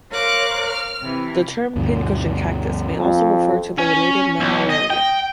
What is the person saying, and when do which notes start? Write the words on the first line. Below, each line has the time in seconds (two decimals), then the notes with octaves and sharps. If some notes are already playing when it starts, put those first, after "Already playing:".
The term "pincushion cactus" may also refer to the related "Mammillaria".
0.11 A#4 C5 C#5 F5 D6 F#6
0.69 F6
1.01 C3 E3
1.76 D2 G2 B2
2.97 F2
3.78 C#4
4.40 B1
4.69 D#5
4.90 G5